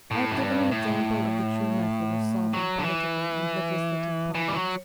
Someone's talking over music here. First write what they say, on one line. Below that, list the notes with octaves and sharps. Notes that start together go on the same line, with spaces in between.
I have given an example of the true method of solving political and legislative problems.
A2
F#2
G2
A2
F#3
D3
E3
E3
G3
F#3